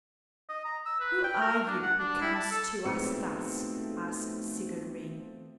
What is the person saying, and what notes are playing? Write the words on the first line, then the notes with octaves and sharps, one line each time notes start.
"Who are you who comes to us thus?" asked Sigurd Ring.
D#5
A#5
E6
B4
G5
A#4
D4
F#5
D4
E4
A5
A4
B1 A2 F3 G#3 A3 B3 C4 C#7